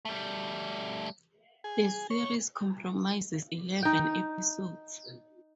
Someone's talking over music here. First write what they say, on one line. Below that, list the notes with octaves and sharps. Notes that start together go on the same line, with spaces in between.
The series comprises eleven episodes.
G3 A3
G#4
C#5
D#4 G5